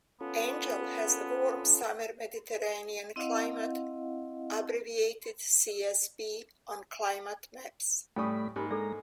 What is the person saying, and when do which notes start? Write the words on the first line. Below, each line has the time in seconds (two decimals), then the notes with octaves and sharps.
Angel has a warm-summer Mediterranean climate, abbreviated "Csb" on climate maps.
0.21 B3 C#4 F4 A4
3.16 C4 E4 D#5 F5 F#5
8.16 A2 G3 A3 G5 G#5 B5 C#6 D#6
8.56 G#2 A#3 G4 B5
8.71 G#3 D4 A4 D5 A#5